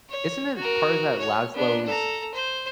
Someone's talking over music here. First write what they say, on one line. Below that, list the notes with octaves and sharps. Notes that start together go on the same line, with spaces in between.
Isn't it part of that Laszlo's
C#5
F#4 A#4
C#5
B3 D4
A4 A#5
C5